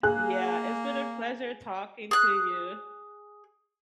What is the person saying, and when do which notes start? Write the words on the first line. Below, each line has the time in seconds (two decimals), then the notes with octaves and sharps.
Yeah, it's been a pleasure talking to you.
0.03 A#3 G#4 F#6
2.11 G#4 F#6